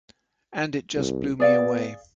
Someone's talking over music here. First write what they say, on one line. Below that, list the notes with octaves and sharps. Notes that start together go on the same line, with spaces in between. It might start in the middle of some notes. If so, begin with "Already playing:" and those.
And it just blew me away.
C2
B3 G#4 D5 F5